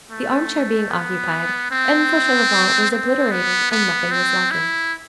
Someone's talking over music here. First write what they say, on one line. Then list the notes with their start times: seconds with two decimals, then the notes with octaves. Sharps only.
The arm-chair being occupied, M. Fauchelevent was obliterated; and nothing was lacking.
0.11 A3
0.90 B3
1.71 C4
2.91 C4
3.31 B3
3.71 B3
4.11 C4
4.51 E4